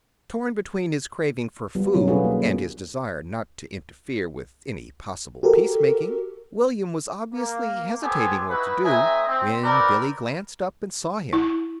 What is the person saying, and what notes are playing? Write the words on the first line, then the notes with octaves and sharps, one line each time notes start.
Torn between his craving for food and his desire not to interfere with any possible peace-making, William was obviously hesitating what to do, when Billy glanced up and saw him.
G3 B3 F4
B2 F#3 C#4 D#4 F#4 G4
D4 F4 F#4 G#4 A4 B4
A#3 C#4
B3 G4
F#4 G4 A4 A#4
A#3
B3 G4 A4 C5 G#5
D#4 E4 F#4 B4
A3 C4 D#4 D#5 E5 G#5
C4
C4 D#4 G4 A#4 B4 D5
E4